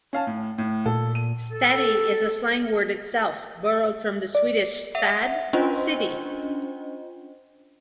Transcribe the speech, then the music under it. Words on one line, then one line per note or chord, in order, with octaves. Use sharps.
"Stadi" is a slang word itself, borrowed from the Swedish "stad", "city".
C#4 F5 A5
A2
A2
A#2 A4
D#7
A4
D5
E5 F#5
C#4 D4 F4 C5 D#5